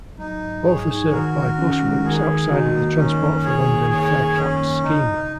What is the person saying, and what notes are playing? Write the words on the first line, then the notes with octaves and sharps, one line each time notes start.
Both are served by bus routes outside of the Transport for London fare-capped scheme.
F#3 D#4
G#2
G#2 G#4 C#5
D#4
D#3 F#4 A#4
D#2
C#4
G#3
D#3 G#4
D#2
D#4 F#4
A#3
D#3 C#4
F#2
F#2 G#4 C#5
A#3
D#3 G#4 C#5
F#2
F#2 C#4
A#3
C#3 D#4
C#2